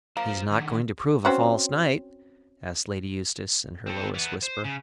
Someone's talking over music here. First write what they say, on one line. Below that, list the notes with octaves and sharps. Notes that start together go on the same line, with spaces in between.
"He is not going to prove a false knight?" asked Lady Eustace, in her lowest whisper.
A#3 C5 F5
D#3 D4
C4 C#4 F#4
C4 A4
E3 B3
C5
C#3